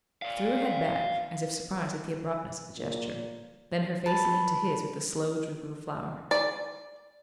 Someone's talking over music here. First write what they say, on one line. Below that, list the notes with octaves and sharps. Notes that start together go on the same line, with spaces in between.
She threw her head back, as if surprised at the abruptness of the gesture; then her face leaned to his with the slow droop of a flower.
D5 F5
A#2
B4 A5
D5